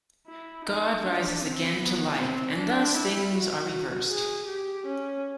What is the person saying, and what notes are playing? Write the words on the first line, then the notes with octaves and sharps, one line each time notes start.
God rises again to life, and thus things are reversed.
E4
D#4
D4
C4
B3
C4
D4
E4
F#4
G#4
G4
C#4